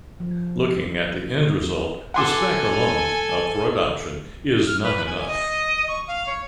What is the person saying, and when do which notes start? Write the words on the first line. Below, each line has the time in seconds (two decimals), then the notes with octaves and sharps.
Looking at the end result, the spec alone, up for adoption, is not enough.
0.20 F3
2.14 A4 F#5 G#5 C6 D6
4.67 F6
4.83 B4
5.07 G#5
5.27 D#5
5.88 C#6
6.08 F5
6.27 C#5